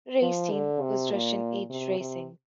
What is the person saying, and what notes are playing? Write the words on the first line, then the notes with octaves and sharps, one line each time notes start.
Race team was Russian Age Racing.
F3
D3
C3
A#2
C3
C3